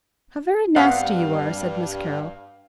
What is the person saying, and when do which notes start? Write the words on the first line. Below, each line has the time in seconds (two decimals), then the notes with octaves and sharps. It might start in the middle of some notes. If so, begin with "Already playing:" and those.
"How very nasty you are!" said Miss Carroll.
0.76 G2 B3 C4 F5 F#5